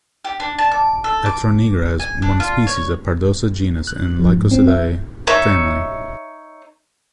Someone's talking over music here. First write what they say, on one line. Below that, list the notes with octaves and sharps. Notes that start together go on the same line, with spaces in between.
Atronigra is one species of Pardosa genus in Lycosidae family.
G4
D4
A5
D6
A4
D6
G#5
D4
F4
C#5
F#6
F3
G#2
C4
E5
D#4 C#5 E5 C#6